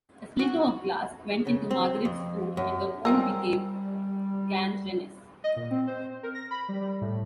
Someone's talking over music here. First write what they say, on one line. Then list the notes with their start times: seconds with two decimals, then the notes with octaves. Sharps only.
A splinter of glass went into Margaret's foot and the wound became gangrenous.
0.39 F#4
1.47 C#3
1.71 C4
2.05 F2
2.57 F#2
3.05 G3 C4 F4 A#4 G#5 E6
5.44 D#5
5.56 A#2
5.71 C4
5.87 C5
6.23 A#4
6.35 A#6
6.51 B5
6.69 G3
6.81 G3
7.01 A2